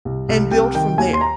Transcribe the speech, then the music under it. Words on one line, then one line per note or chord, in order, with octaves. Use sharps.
And build from there,
C2
C2
C3 G5
D#3 G5
D#2 G#5
C6
A#5